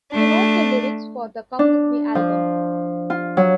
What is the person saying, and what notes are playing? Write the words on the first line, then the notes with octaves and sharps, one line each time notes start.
She wrote the lyrics for the "Come With Me" album.
A3 D4
D4
F3
F4
F#3